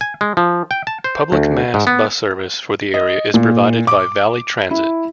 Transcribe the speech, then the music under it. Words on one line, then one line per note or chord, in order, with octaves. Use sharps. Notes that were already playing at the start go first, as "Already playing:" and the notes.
Public mass bus service for the area is provided by Valley Transit.
G#5
G#3
F3
G5
A5
C5
D2
G#2
B3
D#5
A#2
D6
E4